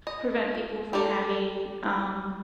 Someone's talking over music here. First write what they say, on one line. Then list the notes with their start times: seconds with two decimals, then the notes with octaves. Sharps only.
prevent people from having, um,
0.07 D#5
0.55 F4
0.93 G3 G4 A4 A#4 D5